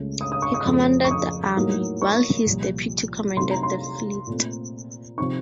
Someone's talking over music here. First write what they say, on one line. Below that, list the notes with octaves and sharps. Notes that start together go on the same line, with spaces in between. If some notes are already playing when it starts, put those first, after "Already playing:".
He commanded the army, while his deputy commanded the fleet.
Already playing: C#2 C#3 A3 C#4
D#6
D#6
C#6
D#6
F2 C#3 A3 C#4
C#6
D#6
A2 F#3 A#3 D#4
C#6
C2 A#2 F3
C3 F#3 A3 C4 D#4 C6
A#5
C6
A#2 A3 C4
C3 F3 C4 D#4 C#6